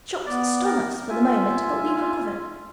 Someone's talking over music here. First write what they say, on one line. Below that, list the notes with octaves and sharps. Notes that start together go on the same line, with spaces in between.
Shocks stun us for the moment, but we recover.
B3 D5
A#4
F4 E5 G#5